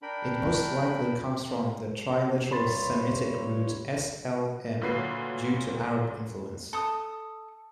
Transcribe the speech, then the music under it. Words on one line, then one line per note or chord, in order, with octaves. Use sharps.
It most likely comes from the triliteral Semitic root S-L-M, due to Arab influence.
D4 A#4 G5 B5
G2 C#5 B5 C6 A6
D2 A#2 F#3 B4 F#6 C7
A4 D#6